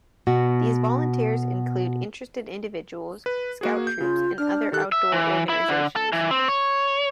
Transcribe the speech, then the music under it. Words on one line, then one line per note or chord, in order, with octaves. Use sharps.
These volunteers include interested individuals, scout troops, and other outdoor organizations.
B2 F#4
B4
A#3 F#4 G#4
G6
C#3 F4
D4 F6
D#3 G4 A4 F#6
E5
E3
E4
D3
A4
E3
C4
C#5